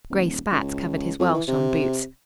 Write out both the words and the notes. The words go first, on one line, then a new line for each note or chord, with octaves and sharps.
Grey spats covered his well-shone boots.
D#1
C#2
F2
E3
C3